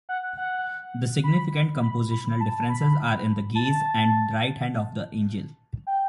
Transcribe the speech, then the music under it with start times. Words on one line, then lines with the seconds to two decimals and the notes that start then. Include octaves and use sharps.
The significant compositional differences are in the gaze and right hand of the angel.
0.09 F#5
0.37 F#5
1.24 B5
1.82 B5
2.11 B5
2.40 A5
2.69 B5
3.55 A5
5.87 G5